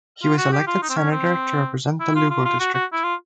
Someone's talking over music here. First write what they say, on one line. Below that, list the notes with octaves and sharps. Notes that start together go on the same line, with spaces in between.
He was elected senator to represent the Lugo district.
F4
F#4
G4
F4
D#4
C4
C#4
C4
E4
F4
F4
F4
F#4
F#4
E4
F4